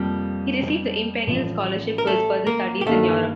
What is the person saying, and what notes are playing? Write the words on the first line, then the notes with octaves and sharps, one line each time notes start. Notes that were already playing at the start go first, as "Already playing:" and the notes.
He received the imperial scholarship for his further studies in Europe.
Already playing: F2 C3 F3 G3 A#3
A1 A2 F3
A#4
A3 A4
A#3 A#4
G4
G2 D#3 A3 A#3 A4